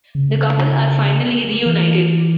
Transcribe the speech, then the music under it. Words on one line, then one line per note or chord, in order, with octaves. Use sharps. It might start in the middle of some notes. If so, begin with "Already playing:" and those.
The couple are finally reunited.
C#3
E3